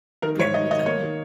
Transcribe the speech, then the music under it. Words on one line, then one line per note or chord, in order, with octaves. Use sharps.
Right, exactly.
D#3 A#4
G#2 C#5
D#3 D#5
D#3 D#5
A#3 C#5
D#3